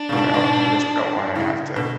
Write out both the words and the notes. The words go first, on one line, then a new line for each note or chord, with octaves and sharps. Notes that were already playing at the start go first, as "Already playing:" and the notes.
you know, you just don't wanna have to
Already playing: D4
C#3
G#2 B2
G#2 B2
A2 C#3
B2 D3